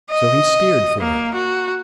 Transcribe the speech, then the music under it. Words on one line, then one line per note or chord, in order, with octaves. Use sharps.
So he steered for it.
D#5
A#3
F#4